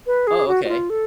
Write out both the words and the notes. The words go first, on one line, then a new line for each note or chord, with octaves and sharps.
Oh, okay.
B4
G#4
F#4
F#4
F4
A4